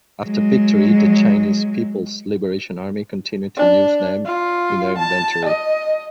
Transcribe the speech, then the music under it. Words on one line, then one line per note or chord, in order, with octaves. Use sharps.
After victory, the Chinese People's Liberation Army continued to use them in their inventory.
F#3 G#3
D4
F4
A5
D#5